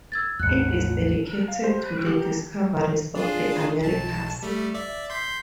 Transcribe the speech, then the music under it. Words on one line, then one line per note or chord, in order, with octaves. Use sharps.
It is dedicated to the "discoverers" of the Americas.
E6 G#6 A6
A1 E2 F#6 C#7
F5
G3 C5
G4
D4 F4 G#4
B1 A5
G3 A3
D5 E5
C6 G6 B6